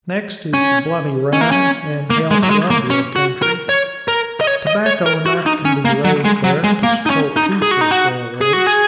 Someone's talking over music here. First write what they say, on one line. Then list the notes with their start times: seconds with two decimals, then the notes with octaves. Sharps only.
Next is the Bloody Run and Hail Columbia country--tobacco enough can be raised there to support two such railroads.
0.54 C#4
1.33 C#4
1.41 A#3
1.52 C#4
2.10 A#3
2.31 G#3
2.43 F#3
2.50 G#3
2.70 A#3
2.90 C#4
3.16 F#4
3.42 A#4
3.69 C#5
4.08 A#4
4.41 D#5
4.47 C#5
4.67 D#5
4.86 C#5
5.06 A#4
5.26 F#4
5.46 D#4
5.65 C#4
5.85 A#3
6.05 F#3
6.25 G#3
6.44 F#3
6.64 G#3
6.83 A#3
7.06 D#4
7.10 C#4
7.36 D#4
7.62 G#4
7.71 F#4
7.81 D#4
7.91 F#4
8.41 G#4
8.53 F#4
8.67 G#4